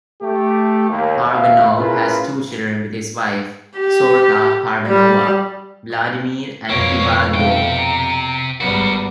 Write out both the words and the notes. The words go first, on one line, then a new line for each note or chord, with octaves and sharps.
Parvanov has two children with his wife, Zorka Parvanova: Vladimir and Ivaylo.
A3 G4
D#2
D#2 C3 E5 F5
C#4 E4 F4 G#4 A#4 B4
G4
G3
F2 B2 A#3 C4 C#5
C3 A3 F5 G5
A#5
G#1 G3 B3 F#4 A#4